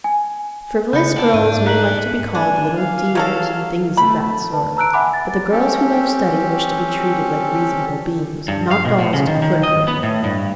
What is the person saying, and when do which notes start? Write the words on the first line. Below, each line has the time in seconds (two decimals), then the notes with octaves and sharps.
Frivolous girls may like to be called "little dears" and things of that sort; but the girls who love study wish to be treated like reasonable beings, not dolls to flirt with.
0.04 G#5
0.93 C#3 B3 B4 G6 C#7
1.17 A4 D5 G5 A5
1.34 G#2 D#7
1.67 A#3 F#6 B6 F#7
2.35 D4 G#5
2.77 F5
3.15 C#3 F#3 A4
3.97 A3 B5
4.53 B4 A5
4.77 A#5 E6 F#6 D7
4.94 E5 F#5 G#5 B5 D6
5.13 A6
5.51 C4 C#4 G4 A4
8.48 G2
8.71 F5
8.85 B2
8.99 A2
9.13 C#3
9.27 D#3
9.42 D#3
9.63 D#5
9.88 B3
10.03 A2
10.24 G2